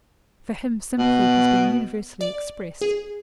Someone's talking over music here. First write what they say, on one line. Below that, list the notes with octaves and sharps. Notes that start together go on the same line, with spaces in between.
For him sympathy has been universally expressed.
B2
D5
G#4